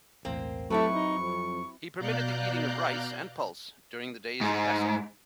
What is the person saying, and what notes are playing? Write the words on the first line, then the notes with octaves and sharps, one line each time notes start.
He permitted the eating of rice and pulse during the days of Passover.
B1 E2 A2 A#3 C4
F#3 A3 C4 E4 G4 B4 C#6
D#4
F2
B2 D5 F5 A#5 F#6 G6
G#2